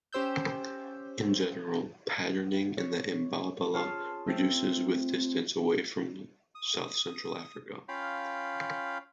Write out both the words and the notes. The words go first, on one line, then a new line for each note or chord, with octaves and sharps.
In general, patterning in the imbabala reduces with distance away from south-central Africa.
C#4 G4 C5 E6 G6
C#5
F4 G#4 C#5 A5 C6 F6
A3 C4
D#6
C#4 F4 F5 G5 B5